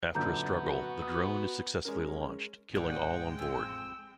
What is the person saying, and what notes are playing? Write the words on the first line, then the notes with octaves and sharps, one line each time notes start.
After a struggle, the drone is successfully launched, killing all on board.
F#2 A#2 D3 B3 A#5 G6
F#4
D#6
G#3 C#4 A#4
A1 A2 G#3 C4 D4 E4 F#5 G5
F2 C4 E6